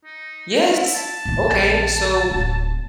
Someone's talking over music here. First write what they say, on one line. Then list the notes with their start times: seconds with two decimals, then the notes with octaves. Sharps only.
yes. Okay. So,
0.05 D#4
0.73 E4
0.94 A5
1.25 A#1 D#3
2.30 D1